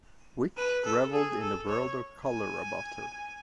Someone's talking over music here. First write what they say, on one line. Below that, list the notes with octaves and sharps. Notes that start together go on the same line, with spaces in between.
Vic reveled in the world of color about her.
B4
A4
G#4
A4
C#5
G#5